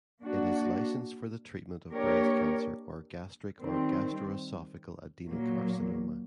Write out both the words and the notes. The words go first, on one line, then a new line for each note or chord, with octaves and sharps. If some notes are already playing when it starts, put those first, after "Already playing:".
It is licensed for the treatment of breast cancer or gastric or gastroesophageal adenocarcinoma.
A#3 D4 F#4
A#3 D4 G4 A#4 C#5
D#3 G3 C4
A#2 F#3 A#3